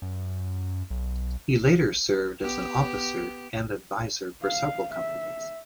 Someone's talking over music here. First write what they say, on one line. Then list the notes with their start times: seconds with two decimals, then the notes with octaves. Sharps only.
He later served as an officer and advisor for several companies.
0.02 F#2
0.90 B1
2.41 B3 G4
4.43 F5
4.94 E5